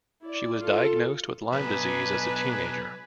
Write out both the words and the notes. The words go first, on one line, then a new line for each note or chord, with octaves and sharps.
She was diagnosed with Lyme disease as a teenager.
E4 D5
F4 A4
B1 D4 D#4 B4 G#5